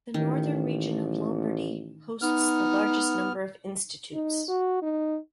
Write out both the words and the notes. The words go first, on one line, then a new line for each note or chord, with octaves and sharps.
The northern region of Lombardy hosts the largest number of institutes.
A1 D#3
B3 D#4 F6
D#4
F#4
D#4